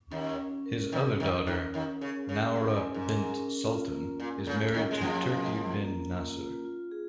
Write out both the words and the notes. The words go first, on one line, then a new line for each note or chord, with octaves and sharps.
His other daughter, Noura bint Sultan, is married to Turki bin Nasser.
D#2 D#3 C#4
C#4
A#4
D#2 D#3 C#4
D#2 D#3 C#4
D#2 D#3 C#4
D#2 D#3 C#4
C#3 C#4
C#3 C#4
A#2 A#4
G#2
C#4
G#2
A#4
C#4
F4
A#3
A#2 A#3
C#3 A#3
D#2 D#3 C#4
G#3
F2 F3 A#3
A#4
F4
A#3
A#3
F4
F4
G#4